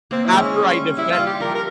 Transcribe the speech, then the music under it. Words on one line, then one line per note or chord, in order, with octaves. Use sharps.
after I defend
A#3 C4
E4
G#3
C#4
G3
G3 E4
F4
G3
G4
F3 A#4
A#4